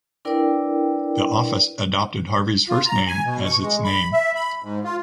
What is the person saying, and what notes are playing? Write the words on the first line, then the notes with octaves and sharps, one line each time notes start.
The office adopted Harvey’s first name as its name.
D4 E4 A#4 B4 D5 G5
F4
A#5
G#5
B2
C#6
G#3
B5
E5
B5
G#2
F4